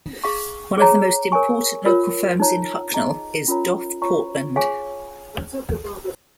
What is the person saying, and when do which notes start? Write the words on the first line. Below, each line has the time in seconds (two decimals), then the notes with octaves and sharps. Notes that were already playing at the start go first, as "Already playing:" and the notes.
One of the most important local firms in Hucknall is Doff Portland.
0.24 G#4 F5 C#6
0.78 G#4 C#5 A#5
1.32 A#4 C#5 G#5 C#6
1.86 F4 A#4 C#5
2.40 D#4 C#5 A#5
2.94 D#4 G#4 D#5 A#5
3.48 C#4 F4 A#4 C#5 A#5
4.02 F4 C#5 F5 A#5 C#6
4.56 G#4 C#5 F5 G#5 C#6